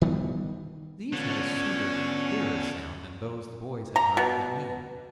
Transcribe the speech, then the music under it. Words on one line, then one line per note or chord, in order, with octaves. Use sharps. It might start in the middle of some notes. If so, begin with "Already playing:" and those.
These had a sweeter, clearer sound than those the boys had heard at noon.
D#3 G3 B3
D3 B3 C#4 F4 C#5
A#5
B2